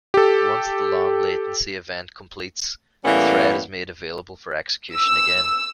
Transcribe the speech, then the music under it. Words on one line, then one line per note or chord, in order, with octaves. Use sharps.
Once the long-latency event completes, the thread is made available for execution again.
G4 A4
A2 E3 G3 A#3 B3 C#4
E6